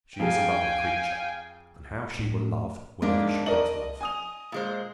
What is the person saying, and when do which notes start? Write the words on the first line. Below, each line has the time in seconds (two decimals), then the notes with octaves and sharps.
She is a lovely creature; and how she will love whenever she does love!
0.20 F2 G#4 F5 G5 G#5
2.19 A2
3.02 G#2 G#3 A#3 D4
3.46 A#4 D5 D#5 F#7
4.01 G#5 D#6 F7
4.52 A#2 G#3 C5